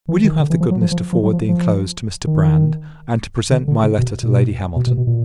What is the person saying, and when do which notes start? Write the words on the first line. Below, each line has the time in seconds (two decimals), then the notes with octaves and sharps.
Will you have the goodness to forward the inclosed to Mr. Brand, and to present my letter to Lady Hamilton?
0.09 E3
0.24 D#3
0.40 D3
0.50 E3
0.61 F3
0.71 F#3
0.81 F3
0.91 F3
1.13 F3
1.23 F#3
1.33 F3
1.49 F3
2.27 D#3
3.51 D3
3.68 D3
3.83 C#3
3.98 B2
4.23 A#2
4.29 B2
4.76 B2
4.87 B2
4.97 B2
5.07 A#2